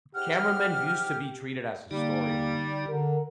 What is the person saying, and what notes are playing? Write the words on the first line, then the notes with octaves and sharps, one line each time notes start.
cameramen used to be treated as historians,
G#2 G4 F#5 F6
D3 G3 A#3 D#4
D3 A#4